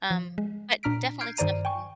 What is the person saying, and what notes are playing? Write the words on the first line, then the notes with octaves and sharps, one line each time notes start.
um, but definitely something.
F3
G#3
A#2 D4 A#5 F6 B6 D7
F6 G6 G#6 C7 D7
G2 D#3 C5 D5 A#5 D#7
G5 G#5 C#6